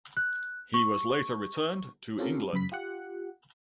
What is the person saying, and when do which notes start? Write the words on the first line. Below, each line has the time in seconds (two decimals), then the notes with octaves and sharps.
He was later returned to England.
0.17 F#6
0.74 C#6
2.18 C4 C#4 F4 G4 A4 A#4
2.53 F#2 C#3 B5 B6
2.72 F4 G4 F#5